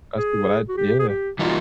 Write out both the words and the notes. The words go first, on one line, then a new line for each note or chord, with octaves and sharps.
that's to what I yeah.
G#4
F#4
G4
G#4
G4
E3 G3 A#3 D#4 F4 F#4